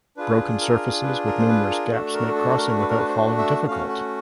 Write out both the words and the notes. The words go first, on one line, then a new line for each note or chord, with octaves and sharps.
Broken surfaces with numerous gaps make crossing without falling difficult.
D4 F4 G#4 B4
A#4
B4
A#4
C5
B4
A#4
A3 D4 F#4 A4
A#4
A4
A4
A#4
B4
A#4
B4
C5
E5
A3 C#4 F#4 F5
F#5